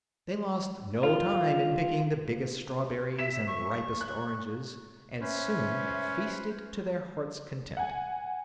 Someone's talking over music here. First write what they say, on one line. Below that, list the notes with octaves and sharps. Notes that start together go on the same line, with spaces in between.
They lost no time in picking the biggest strawberries and ripest oranges and soon had feasted to their hearts' content.
F4
E5 B6 E7
C#6
F#6
C#4 B4 C5 E5
F#5 G#5